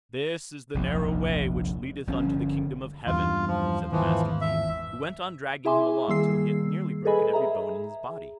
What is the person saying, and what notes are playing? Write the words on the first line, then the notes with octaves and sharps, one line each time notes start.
'This is the narrow way which leadeth unto the kingdom of heaven', said the Master Thief, who went on dragging him along till he had nearly broken every bone in his body.
F1 A#1 D#2
G1 D3 F3 C#4
E2 G2 F4
F3
G#1 E2 E3 F3
E5
E4 G#4 E5 G#5 C6 D6
D#3 G3 A#3 G#4 E6 C7
G#4 A4 B4 D#5 G#5 B5
G#4 E5 A#5